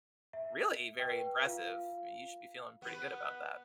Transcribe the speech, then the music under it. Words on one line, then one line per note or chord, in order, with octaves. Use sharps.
really very impressive. You should be feeling pretty good about that.
E5
B4 G5
F4 F5
B3 B4